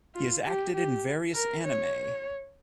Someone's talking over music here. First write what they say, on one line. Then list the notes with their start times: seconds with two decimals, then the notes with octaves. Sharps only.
He has acted in various anime.
0.15 F4
0.45 G4
0.74 G4
1.34 A#4
1.64 C#5